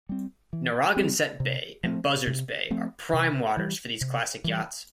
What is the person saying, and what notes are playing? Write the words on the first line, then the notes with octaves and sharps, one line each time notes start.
Narragansett Bay and Buzzards Bay are prime waters for these classic yachts.
G3 C4
E3
G3 C4
C3
F3 A3 C4
C3
F3 A3 C4
C3
E3 G3
C3
E3 G3